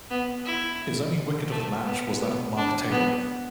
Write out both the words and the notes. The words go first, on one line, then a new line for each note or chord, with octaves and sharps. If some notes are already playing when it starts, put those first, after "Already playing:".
His only wicket of the match was that of Mark Taylor.
B3
E4
A3
B3
B3
D4
B3